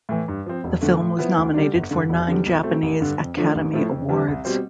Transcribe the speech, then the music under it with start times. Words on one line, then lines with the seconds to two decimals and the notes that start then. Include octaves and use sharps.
The film was nominated for nine Japanese Academy Awards.
0.09 A2 E3
0.28 G2
0.46 F3 C4
0.64 E1
0.81 E2 D3 A3
1.00 A2
1.18 F3 B3 E4
1.36 D2
1.54 D3 G3 D4
1.74 G1
1.91 G2 D3
2.09 E1
2.28 E2 D3 G3
2.46 B1
2.63 B2 A3 C4
2.82 A1
3.00 G2 D3
3.18 F2
3.37 D3 F3 A3 D4
3.55 A1
3.73 A2 F3 A3 E4
3.91 F2
4.09 C3 E3 G3
4.28 C2
4.45 B2 G3 C4